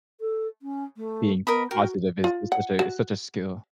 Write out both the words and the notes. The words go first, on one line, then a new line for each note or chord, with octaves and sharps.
being positive is is such a is such a skill.
A4
C#4
A3
B3 A#4 D#5 B5
F#4 A#4 G5
F4
F#5
F#4